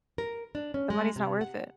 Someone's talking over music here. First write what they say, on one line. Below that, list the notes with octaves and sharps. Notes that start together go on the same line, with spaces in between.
the money's not worth it.
A#4
D4
C#4
G#3
C3
F#5